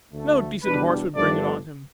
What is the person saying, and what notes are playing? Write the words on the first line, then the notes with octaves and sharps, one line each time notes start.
No decent horse would bring it on him.
D2 D3 A3
E2 B2 G3 D4 B4
G1 G2 F3 A3 D4 D5